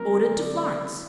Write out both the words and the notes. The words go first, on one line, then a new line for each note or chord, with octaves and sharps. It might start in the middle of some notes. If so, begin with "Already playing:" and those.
Ordered to Florence.
Already playing: D3 F#3 A3 C4 A#4
D5